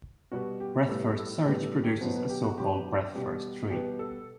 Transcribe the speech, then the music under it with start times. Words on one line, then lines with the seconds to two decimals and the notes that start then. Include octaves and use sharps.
Breadth-first search produces a so-called "breadth first tree".
0.32 B2 G3 B3 F#4
0.60 G4
0.88 A2 G3 B3 A4
1.17 A4
1.44 A2 G3 B3 G4
1.63 A4
1.83 G4
2.01 B2 F#3 B3 C5
2.16 B4
2.30 G4
2.44 F#4
2.57 B2 F#3 B3 G4
3.14 B2 G3 B3 G4
3.70 B2 G3 B3 G4
3.99 A4